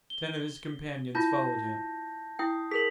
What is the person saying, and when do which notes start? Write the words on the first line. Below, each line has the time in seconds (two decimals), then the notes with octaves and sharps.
Ten of his companions followed him.
0.10 G7
1.15 E4 F4 A5 G6 A#6
2.39 E4 G5 D#6 G6 C7
2.71 G#4 A#4 B6 F7 F#7